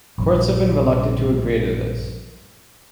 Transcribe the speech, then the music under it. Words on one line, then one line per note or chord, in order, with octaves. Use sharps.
Courts have been reluctant to agree to this.
A#1 G2